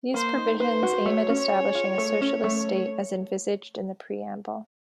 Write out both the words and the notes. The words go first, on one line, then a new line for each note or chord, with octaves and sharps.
These provisions aim at establishing a socialist state as envisaged in the Preamble.
A#3 C5
D#4
B4 C5
F#4
A3 C#5
C#4
G#4
F4
A3
C#4
A3